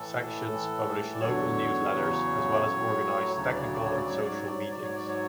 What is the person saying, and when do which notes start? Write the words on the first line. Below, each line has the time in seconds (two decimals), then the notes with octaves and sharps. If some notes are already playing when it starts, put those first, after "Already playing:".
Sections publish local news letters as well as organize technical and social meetings.
Already playing: A2 E3 A4
0.50 A2 E3
1.15 D5
1.21 E2 D3 F#3 C#5
1.93 E2 C#3 F#3
2.64 A2 F#3
3.35 D2 C#3 F#3 C#5
3.48 D5
3.60 C#5
3.73 D5
3.85 C#5
3.97 D5
4.07 G#2 F#3 C#5
4.21 D5
4.34 C#5
4.47 D5
4.59 C#5
4.71 D5
4.79 G#2 F#3 C#5
4.95 D5
5.08 C#5